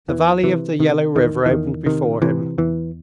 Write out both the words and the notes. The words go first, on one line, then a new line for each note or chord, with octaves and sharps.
The valley of the Yellow River opened before him.
E2 E3
C3 E3
C3 D#3
E2 D#3
E3
E2 D#3
C3 D#3
C3 E3
E2 E3